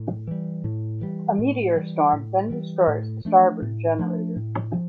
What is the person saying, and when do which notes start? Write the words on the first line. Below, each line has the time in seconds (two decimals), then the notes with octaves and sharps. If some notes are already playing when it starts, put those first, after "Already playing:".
A meteor storm then destroys the starboard generator.
Already playing: A2
0.27 E3 G3
0.64 A2
1.01 E3 G3
1.39 A2
1.76 E3 G3
2.13 A2
2.50 E3 G3
2.87 A2
3.25 F3 A3 D4
3.62 A2
3.99 F3 A3 D4
4.36 A2
4.74 F3